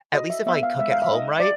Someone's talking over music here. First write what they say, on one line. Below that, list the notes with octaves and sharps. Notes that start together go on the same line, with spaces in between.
at least if I cook at home, right,
F#4 D#5
E5
B3 E5
F5
G#3 E5
F5
E5
D#4 D#5
D5